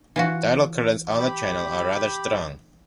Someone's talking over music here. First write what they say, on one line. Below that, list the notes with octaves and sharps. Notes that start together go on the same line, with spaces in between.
Tidal currents on the channel are rather strong.
E3 F4 F#4
G4 B5